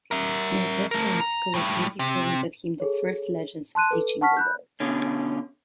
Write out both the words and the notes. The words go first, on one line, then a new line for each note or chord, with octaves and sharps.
Northwestern's School of Music presented him the first Legends of Teaching award.
A#4 E5
A3 A#4
A#5
A2 G3
C3
G#4 A4 C#5
A5 C6 F#6 D#7
A4 B4
F#5 A5 C#6 F6 B6
B5 F#6 G6
B2 D3 C#4